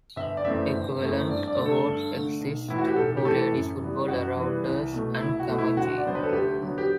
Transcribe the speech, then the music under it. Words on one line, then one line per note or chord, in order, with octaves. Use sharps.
Equivalent awards exist for ladies' football, rounders and camogie.
G1 E5
D5
F#2 E3 A3 C4 E5
G1
F#2 E3 A3 C4
G2 D5
D5
D3 A3
A4
G2
D3 A3
B1
A2 E3 E4
F#4
G4
B1 A4
G4
A2 E3 A4
F#2
E3 G3 B3
F#2 F#4
E3 G3 B3
C2
B2 A3
C2 E4
F#4
B2 A3
E4
D2 F#4
D5
D3 F#3 B3 C5
B4
A4
D2 G4
D3 F#3 B3
G4